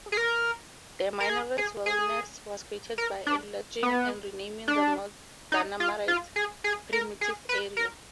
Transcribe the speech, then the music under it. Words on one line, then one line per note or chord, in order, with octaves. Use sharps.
The Minarets Wilderness was created by enlarging and renaming the Mount Dana-Minarets Primitive Area.
G#4
A#4
A#4
G#4
G#4
G#4
A#4
D4
B3
D4
D#4
F4
F4
G#4
G#4
A#4
G#4
B4
A#4